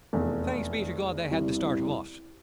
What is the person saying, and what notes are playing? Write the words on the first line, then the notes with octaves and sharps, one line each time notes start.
Thanks be to God they had the start of us.
F1 E2
C2